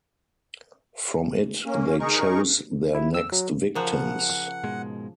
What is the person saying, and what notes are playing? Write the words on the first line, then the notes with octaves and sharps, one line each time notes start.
From it they chose their next victims.
A#3 C#4
D#4 G#4 A#4 C#6
E4
E6
F#3
C#3 F3 A#4 F#5 A#5 F#6
G#2 B2 G#3